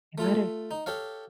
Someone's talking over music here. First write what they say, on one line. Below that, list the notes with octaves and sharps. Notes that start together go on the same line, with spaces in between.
it might've
A3 F4 A4
D#4
G4 A4 C#5 F5